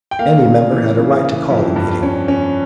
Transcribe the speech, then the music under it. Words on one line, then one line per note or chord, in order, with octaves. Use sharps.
Any member had a right to call a meeting.
G5
A#3 F5
C#3
E3
C#3
E3
F2
G2
C#4
C#4